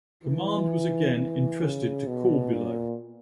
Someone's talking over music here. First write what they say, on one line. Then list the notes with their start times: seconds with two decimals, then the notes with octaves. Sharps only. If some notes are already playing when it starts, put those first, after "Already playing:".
Command was again entrusted to Corbulo.
0.24 E3
1.15 E3
1.62 C#3
2.07 B2
2.53 A#2